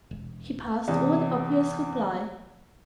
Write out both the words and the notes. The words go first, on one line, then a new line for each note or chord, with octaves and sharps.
He passed over the obvious reply.
E1
E2 C3